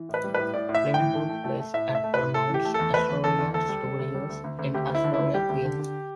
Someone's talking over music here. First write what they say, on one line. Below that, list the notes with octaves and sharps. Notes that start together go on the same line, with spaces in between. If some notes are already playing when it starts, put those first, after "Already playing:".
Filming took place at Paramount's Astoria Studios in Astoria, Queens.
Already playing: E3
A2 B4
G3
A2 B4
A2 D5
A2
E5
A2
G5
E3
A3
A3
A3
A3
A2 E5
A3
E5
A3
B4
A2
A3 A4
E3
G4
A3
E2 A4
A3 B4
E2
E2 A4
E2
D2 A4
G3
G3
D2
G3
D2
D2
D2
D2 G4
D2 E4
D3
E4
D2
G3 G4
D2
D3
D3